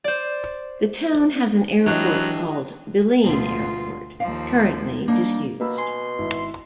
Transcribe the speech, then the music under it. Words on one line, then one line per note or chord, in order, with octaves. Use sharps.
The town has an airport called Bilene Airport, currently disused.
C5 D5
E3 F#3 D4 E4 G4 D#5
D2 B2 F3 F4
D#2 F3 F5
G3 A#3 D4 D#4
B2 A#3 B5 E6
G#5 C6
G#1 E4